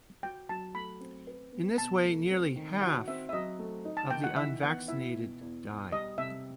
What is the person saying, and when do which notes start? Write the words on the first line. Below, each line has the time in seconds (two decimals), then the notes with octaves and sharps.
In this way nearly half..of the unvaccinated die.
0.23 F#4 G5
0.49 F#3 A5
0.75 A3 B5
1.01 C4
1.27 B4
1.52 B3
1.78 B2 A5
2.04 A3
2.30 C4
2.56 D#3
2.82 F#4 F#5
3.08 C4 E5
3.29 E5
3.33 F#3 D#5
3.59 A3
3.85 D#4
3.97 A5
4.10 D#3 G5
4.24 F#5
4.37 E3 E5
4.63 B3 F#5
4.88 E4 E5
5.15 B2
5.41 E2
5.66 B2
5.91 G3 D#5
6.18 C3 E5